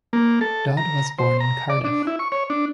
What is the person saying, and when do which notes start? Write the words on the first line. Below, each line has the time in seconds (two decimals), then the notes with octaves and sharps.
Dodd was born in Cardiff.
0.13 A#3
0.41 A4
0.77 A#5
1.19 C5
1.40 A#5
1.70 D5
1.84 D4
2.07 E4
2.19 C#6
2.32 C#5
2.50 D4